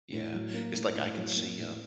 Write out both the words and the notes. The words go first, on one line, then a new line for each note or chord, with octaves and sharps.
Yeah, it's like I can see, uh
A2
F#3
A#3
A2
A2
F#3
A#3
A2